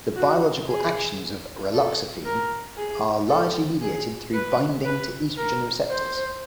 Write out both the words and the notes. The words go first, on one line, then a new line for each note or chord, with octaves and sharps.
The biological actions of raloxifene are largely mediated through binding to estrogen receptors.
F#4
G#4
A4
A#4
G#4
A4
G#4
B4
B4
A#4
C5